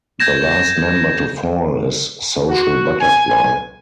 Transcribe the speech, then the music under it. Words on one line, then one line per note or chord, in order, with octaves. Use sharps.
The last member to fall is Social Butterfly.
G6 G#6 A#6 E7
F#4
G#5